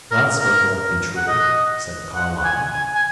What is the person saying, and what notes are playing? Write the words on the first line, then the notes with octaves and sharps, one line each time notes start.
"That's very likely true," said Carlyle.
A#4
A#4
F#5
D#5
F#5
G#5
G#5
G#5